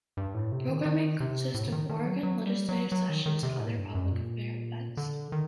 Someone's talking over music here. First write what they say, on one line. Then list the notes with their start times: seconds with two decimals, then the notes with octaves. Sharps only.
Programming consists of Oregon legislative sessions and other public affairs events.
0.17 G2
0.34 A2
0.52 C3
0.69 D#3
0.86 D#3
1.20 C3
1.54 A2
1.67 D3
1.72 D#3
1.89 D#3
2.06 F#3
2.23 F#3
2.46 G3
2.69 F#3
2.92 F#3
3.09 D#3
3.26 D#3
3.43 C3
3.60 A2
3.78 G2
3.95 F#2
4.12 A#2
4.97 D3
5.32 D#3